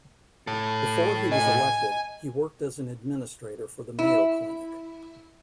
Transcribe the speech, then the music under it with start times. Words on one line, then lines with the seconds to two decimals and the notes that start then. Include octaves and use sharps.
Before he was elected, he worked as an administrator for the Mayo Clinic.
0.47 A2 A4
1.32 D#5 G#5
3.99 E4